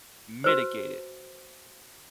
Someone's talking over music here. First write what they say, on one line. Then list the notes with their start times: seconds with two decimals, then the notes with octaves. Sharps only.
mitigate it
0.44 F#4 B4 C5